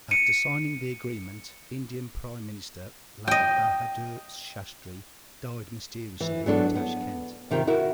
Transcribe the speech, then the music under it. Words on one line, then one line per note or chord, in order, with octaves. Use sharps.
After signing the agreement, Indian Prime Minister Lal Bahadur Shastri died mysteriously in Tashkent.
C#7 D#7
D#5 G5
E3
F#3 B3 D4 A4
B3
C3 D#3 F4 G4
E4 F#4 A#4